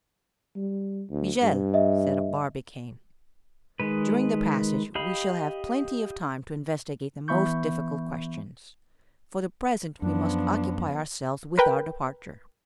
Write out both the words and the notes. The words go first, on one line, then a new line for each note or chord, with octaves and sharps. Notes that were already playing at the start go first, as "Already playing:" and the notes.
"Michel," said Barbicane, "during the passage we shall have plenty of time to investigate the most difficult questions. For the present we must occupy ourselves with our departure."
G3
D2
G2
D#5 E5
D#3 G#3 B4
G4 D#5 F5 B5
E3 B3 E5 B5 C#6 G6
F#2 F3 B3 D4
A#4 B4 G5